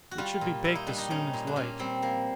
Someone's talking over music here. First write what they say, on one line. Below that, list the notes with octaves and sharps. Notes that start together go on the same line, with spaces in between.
It should be baked as soon as light.
F#4
G3 F4
A#2
A#2 E4
D#4
G3 D4
D#4
G3 C#4
A#2
D4
A#2 C#4
G3 C4
F3 A#3